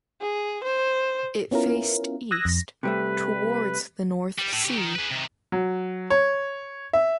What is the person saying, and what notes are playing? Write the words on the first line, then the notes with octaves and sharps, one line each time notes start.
It faced east towards the North Sea.
G#4
C5
B3 C#4 E4 F4 A#4
D#6 E6 F#6 G#6 A#6
F2 A#6
C3 G3 A3 B4
G3
A2
C#3 G4
D#3
G#4 B4
C3 D#3
F#3
C#5
E5